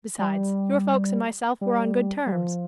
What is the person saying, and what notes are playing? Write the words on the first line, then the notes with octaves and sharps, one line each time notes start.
Besides, your folks and myself were on good terms.
G3
G3
G3
F3